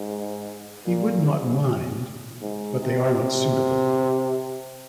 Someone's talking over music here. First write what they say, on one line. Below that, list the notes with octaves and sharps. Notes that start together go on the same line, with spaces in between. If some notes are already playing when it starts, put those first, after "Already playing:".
He would not mind; but they are not suitable.
Already playing: G#2
A#2
G#2
G#2
C3
C3